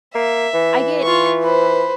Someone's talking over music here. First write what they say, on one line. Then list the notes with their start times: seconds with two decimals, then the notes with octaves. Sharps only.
I get
0.15 A#3 E5
0.54 E3
1.02 F4 C#6
1.43 B4 C5